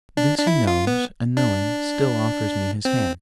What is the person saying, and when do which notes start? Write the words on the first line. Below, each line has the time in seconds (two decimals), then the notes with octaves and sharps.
This he knows, and knowing, still offers me his hand.
0.17 D4
0.38 D4
0.47 E4
0.67 F4
0.87 B3
1.37 D4
2.85 C4